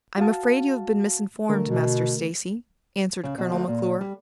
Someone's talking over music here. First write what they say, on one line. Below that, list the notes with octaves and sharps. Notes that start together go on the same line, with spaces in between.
"I'm afraid you have been misinformed, Master Stacy," answered Colonel McClure.
F#4 F5 A5
D3 A3 A#4
B2
C#3
B2
D2
A#2
G3